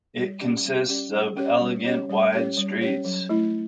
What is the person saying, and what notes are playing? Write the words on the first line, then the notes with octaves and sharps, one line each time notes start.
It consists of elegant wide streets.
G3
C#4 G4 D5
G3
C#4 G4 D5
G3
C#4 G4 C#5
G3
C#4 G4 C#5
G3
C#4 G4 C#5
G3
C#4 G4 C#5
F#3
A3 E4